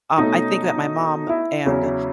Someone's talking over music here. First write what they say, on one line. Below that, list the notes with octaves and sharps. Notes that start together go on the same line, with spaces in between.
um, I think that my mom and
B2 A3 C#4 D#4
E4
E2 C#3 F#3 C#4